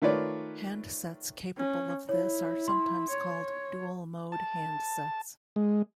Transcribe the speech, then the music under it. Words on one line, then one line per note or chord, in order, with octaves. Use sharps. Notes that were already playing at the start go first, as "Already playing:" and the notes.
Handsets capable of this are sometimes called dual-mode handsets.
D#3 A3 F4 B4 C#5 D5
C#4
E4 C#5
C6
C#5
A5
G#3